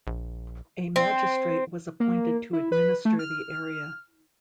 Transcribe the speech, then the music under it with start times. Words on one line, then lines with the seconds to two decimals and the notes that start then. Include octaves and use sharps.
A magistrate was appointed to administer the area.
0.07 A#1
0.96 C4
2.00 A#3
2.53 E4
2.72 B4
3.05 A3
3.19 F6